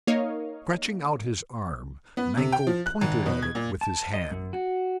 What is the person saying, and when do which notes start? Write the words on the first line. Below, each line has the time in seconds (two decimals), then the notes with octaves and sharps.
Stretching out his arm, Mankell pointed at it with his hand.
0.07 A#3 D#4 A#4 C#5 D#5 F5
2.17 B3
2.37 C3
2.52 G5
2.67 F3
2.86 F#6
3.01 G#1
3.26 B2
3.43 G#6
3.55 A#2
3.81 A5
4.14 D#5
4.31 F#2
4.53 F#4